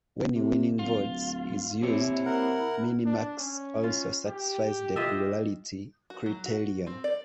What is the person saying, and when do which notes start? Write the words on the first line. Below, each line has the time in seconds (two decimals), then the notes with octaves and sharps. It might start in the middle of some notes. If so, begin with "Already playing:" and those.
When "winning votes" is used, Minimax also satisfies the Plurality criterion.
0.35 C3
0.79 D1 F4
1.82 C3 A#3 C4 E4 C#5
2.25 A#4 F#5
3.06 D4
3.38 C#4
3.84 F4
4.26 G4
4.96 F4 D#5 E5
6.10 F#4
6.26 F#3
6.46 F#4
6.87 C4
7.04 D5